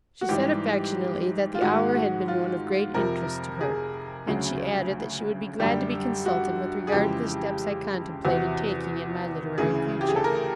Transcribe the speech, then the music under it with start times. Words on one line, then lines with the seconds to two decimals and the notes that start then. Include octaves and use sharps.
She said affectionately that the hour had been one of great interest to her, and she added that she would be glad to be consulted with regard to the steps I contemplated taking in my literary future.
0.21 F#4
0.29 G#2 E3 G3 G4
1.55 F4
1.61 G#2 D#3 G#3 F#4
1.95 F#4
2.28 F4
2.94 F2 C3 F3 A#4
3.61 G#4
4.27 D2 C#3 F#3
5.60 F#2 D3 G3 G4
6.26 F#4
6.87 G#4
6.92 F2 C#3 E3 G#3 G4
8.25 E2 C3 E3 F#4
9.58 D2 C#3 E3 G#4
10.01 G4
10.08 G#4
10.16 A4
10.24 A#4